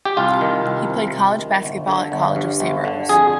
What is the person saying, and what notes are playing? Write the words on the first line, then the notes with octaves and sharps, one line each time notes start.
He played college basketball at College of Saint Rose.
G4
C2 F4
D#3
C2
C3
C2
D#3
G1
D3
G1
G2
G1
D3
F2 G#4